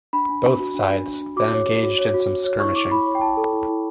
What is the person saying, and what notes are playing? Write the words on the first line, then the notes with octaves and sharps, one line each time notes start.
Both sides then engaged in some skirmishing.
D4 B5
D4
D4
F#4
D4
D4
D4
D4
F#4 D6
C#5
C#5
F#4
C#5
F#4
C#5
C#5
E4 C#6
E4 D6
E4 B5
C#5
G5
E4 A5
A4
E4
E4